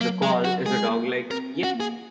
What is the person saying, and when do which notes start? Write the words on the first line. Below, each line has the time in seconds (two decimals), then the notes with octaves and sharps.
The call is a dog-like "yip".
0.01 F#3 A#3
0.22 G#3
0.45 F#4
0.66 G#3 G#4
0.88 A#3
1.31 C4 A#4
1.53 C#4
1.64 F#4
1.74 A#3
1.80 G#4